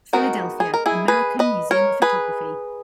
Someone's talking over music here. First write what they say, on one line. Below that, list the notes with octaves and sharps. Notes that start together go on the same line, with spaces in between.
Philadelphia: American Museum of Photography.
D#3 G#3 B3 D#4 F#4 A#4
G#4
A#4
E4 G#4
G#4 B4
B4 D#5
A#4 C#5
G#4 B4